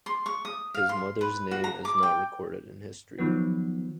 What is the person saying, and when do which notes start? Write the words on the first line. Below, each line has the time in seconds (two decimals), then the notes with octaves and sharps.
His mother's name is not recorded in history.
0.06 C6
0.26 C#6
0.45 D#6
0.74 F5
0.89 C6
1.21 B4
1.51 F#4
1.64 A#5
1.85 D6
2.03 G5
3.18 D#3 F3 F#3 B3